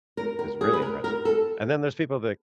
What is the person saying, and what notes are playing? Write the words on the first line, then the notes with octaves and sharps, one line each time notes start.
is really impressive. And then there's people that,
A#4
A#4
G#4
B4
A#4
A#4
A4